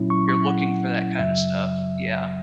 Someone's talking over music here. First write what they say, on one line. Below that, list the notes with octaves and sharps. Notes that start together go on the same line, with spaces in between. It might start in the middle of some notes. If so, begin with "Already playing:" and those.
you're looking for that kinda stuff. Yeah.
Already playing: A#2 F#3 C#4 E4
C#6
C#6
F#5
F#2 C#3 F#3 E5